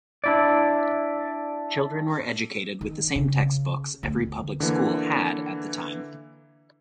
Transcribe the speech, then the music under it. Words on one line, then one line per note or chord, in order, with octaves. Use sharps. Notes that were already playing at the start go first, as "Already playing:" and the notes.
Children were educated with the same textbooks every public school had at the time.
D4 E4 D5
D#3
C#3
D2
D3 E3 A#3